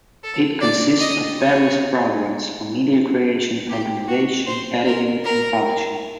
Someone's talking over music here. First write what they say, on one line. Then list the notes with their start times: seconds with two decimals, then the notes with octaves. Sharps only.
It consists of various programs for media creation, organization, editing and publishing.
0.23 A4
0.61 D5
1.00 D#5
1.38 C#5
3.69 G4
4.08 F#4
4.47 C5
4.86 A#4
5.24 A#4